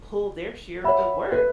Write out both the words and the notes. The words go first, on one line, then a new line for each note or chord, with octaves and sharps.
pull their share of the work,
C#5 E5 F#5 B5
B4